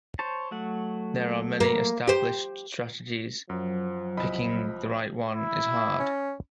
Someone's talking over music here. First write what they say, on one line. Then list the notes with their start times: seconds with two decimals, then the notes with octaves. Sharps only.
There are many established strategies, picking the right one is hard.
0.19 C5 C#5 A5
0.51 F#3 A3 F#5
1.60 A#3
2.07 G4 C5
3.50 F#2 F3 F#3
4.17 C2 D#5 B5
5.33 E4
6.00 C#4